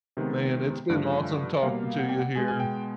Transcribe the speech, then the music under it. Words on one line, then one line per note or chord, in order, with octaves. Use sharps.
Man, it's been awesome talking to you here,
C3 D#3 G#3 B3
G2 D3 F3 A3
B2 G3 A#3 F5
F#5
G5
F#5
B2 G#3 B3 G#5
G#5
G5